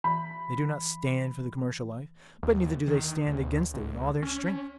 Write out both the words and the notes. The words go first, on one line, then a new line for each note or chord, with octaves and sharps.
They do not stand for the commercial life, but neither do they stand against it with all their strength.
E3 B5
D#2
D#3
D2
C#2
C#4